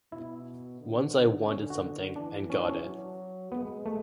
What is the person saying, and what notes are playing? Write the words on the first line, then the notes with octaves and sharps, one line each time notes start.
Once I wanted something and got it.
B2 E4
D3
D3 C#4
F#4
E3 D4
C#4
D4
C#4
F#3
G#3 B3
A3